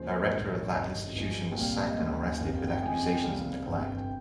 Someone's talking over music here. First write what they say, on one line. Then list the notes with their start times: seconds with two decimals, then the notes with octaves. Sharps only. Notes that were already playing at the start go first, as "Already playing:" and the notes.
Director of that institution was sacked and arrested with accusations of neglect.
Already playing: D#2 C#3 F3 G#3 C5
0.11 A#4
0.31 A#1 G#2 D#3 A#4
0.52 C#5
0.65 C#5
0.73 G1 F2 C3 D#3 D#5
1.15 G1 G2 F3 G#3
1.52 G5
1.57 C2 A#2 G3 F5
1.87 D#5
1.98 D#2 C#3 G#3 F5
2.40 G1 F2 D#3 F5
2.54 G5
2.68 G5
2.82 F2 C#3 F3 G#3 G#5
3.03 G5
3.24 C2 C3 G3 F5
3.65 G1 F2 C3 G5
3.86 G5
3.99 G5